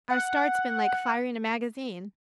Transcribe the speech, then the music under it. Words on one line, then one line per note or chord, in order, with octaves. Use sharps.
Our start's been like firing a magazine.
F#5